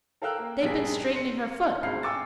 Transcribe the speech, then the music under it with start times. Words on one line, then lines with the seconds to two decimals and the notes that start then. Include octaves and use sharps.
They've been straightening her foot.
0.22 A4 A#4 F5 G5 E6 F#6
0.38 A#3
0.62 A#1 G2 G3 G#4 B6
1.13 C6 C#7
1.83 G#1 D2 G#2 B5 F6 C7
2.03 G5 G#5 C#6 D6 E6 A6